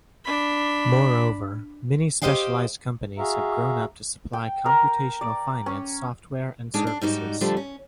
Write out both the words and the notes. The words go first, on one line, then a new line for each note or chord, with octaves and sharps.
Moreover, many specialized companies have grown up to supply computational finance software and services.
D4 B5
G4 A4 C5 D#5 F5 G5
F#4 G#4 E5 F5 A#5
G5
A#4
D5
C#4
G#2 D3 G#3 D4
D4
G#2 G3 D#4 F#4
D3 F3 G3 A3 D4
C#4